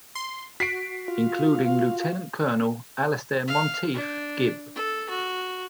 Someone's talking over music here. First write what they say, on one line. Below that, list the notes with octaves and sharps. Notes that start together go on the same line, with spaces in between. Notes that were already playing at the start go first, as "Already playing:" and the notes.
Including Lieutenant Colonel Alistair Monteith Gibb.
C6
F#4 B6 C7 D7
F4 F5
F5
D4
A4
F#4